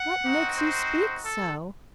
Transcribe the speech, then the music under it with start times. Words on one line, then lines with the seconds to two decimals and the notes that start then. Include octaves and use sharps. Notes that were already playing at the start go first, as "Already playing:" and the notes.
What makes you speak so?
Already playing: F#5
0.24 C4 D#4 F#4
0.57 C5
1.23 A4